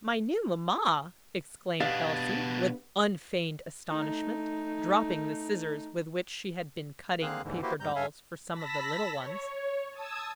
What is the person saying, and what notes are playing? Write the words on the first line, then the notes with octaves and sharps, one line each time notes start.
"My new mamma!" exclaimed Elsie, with unfeigned astonishment, dropping the scissors with which she had been cutting paper dolls for some of the little ones.
B2 B3 D4 G4 F5
A3 D#4
D3 A#3 C4 G#4 F5 F#6
D#2 G#2 D3 E3
A#3 E4 F#4 G4 B4 C5
E2 G#2 G3 A#5 G6
G2 A4 E5 F5 G#5
A5 B5 E6 A#6 B6
C#5
A5 D#6 E6 G#6